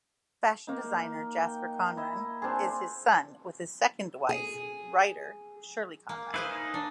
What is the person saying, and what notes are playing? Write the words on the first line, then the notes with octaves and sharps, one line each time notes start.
Fashion designer Jasper Conran is his son with his second wife, writer Shirley Conran.
A#3 D#4
G5
E4 D#5
C4 D4 F4 G#4
G#4
A#3
E4 G#4 B4 C5 F5
D#4
D4